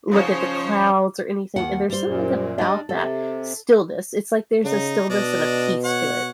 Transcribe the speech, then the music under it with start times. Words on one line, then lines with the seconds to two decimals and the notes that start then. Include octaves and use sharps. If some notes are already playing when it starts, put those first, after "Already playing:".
look at the clouds, or anything, and there's something about that stillness, it's like there's a stillness, and a peace to it.
0.11 C#3 F3 D#4 F4 C5 C#5
1.56 D#2 F#5
1.90 G3 C5
2.05 F#2 A#2
2.58 G3 D4 D#5
2.89 C3 A4
4.65 C#3 D#4
5.10 B2 D4 D#5
5.84 C#5 F#5